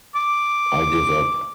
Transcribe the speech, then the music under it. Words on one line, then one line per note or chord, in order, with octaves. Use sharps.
I give up.
D6